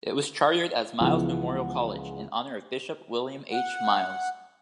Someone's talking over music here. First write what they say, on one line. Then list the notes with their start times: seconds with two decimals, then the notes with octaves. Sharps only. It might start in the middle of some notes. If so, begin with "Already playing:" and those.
It was chartered as Miles Memorial College, in honor of Bishop William H. Miles.
1.00 C#2 E3 F3 G#3 B3 F#5
3.52 F#5